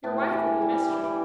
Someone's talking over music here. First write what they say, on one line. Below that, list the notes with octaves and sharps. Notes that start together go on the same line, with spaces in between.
Your wife will be mistress.
A2
G4
E3
E3
G3
G3
E3
E3